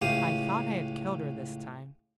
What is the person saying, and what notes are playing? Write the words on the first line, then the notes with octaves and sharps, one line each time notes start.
I thought I had killed her, this time.
C#2 A2 G4 F5 D#6